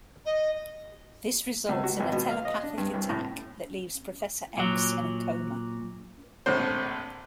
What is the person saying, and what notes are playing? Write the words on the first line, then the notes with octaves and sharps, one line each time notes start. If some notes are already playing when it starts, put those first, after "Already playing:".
This results in a telepathic attack that leaves Professor X in a coma.
D#5
C#2
F#4
G#1
B2
F5
D#5
D4
G2
C2
A2
A#2 F#3
A#1 A2 D3 C4 C5